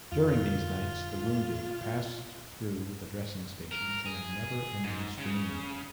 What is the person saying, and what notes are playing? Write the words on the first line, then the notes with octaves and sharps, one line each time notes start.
During these nights the wounded passed through the dressing stations in a never-ending stream.
F2 D3 F4
A#4
G#4
G#2
C#3